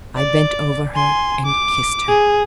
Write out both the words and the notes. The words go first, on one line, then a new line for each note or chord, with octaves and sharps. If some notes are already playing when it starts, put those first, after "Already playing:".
I bent over her and kissed her.
D5
G#5 C6
D6
G#4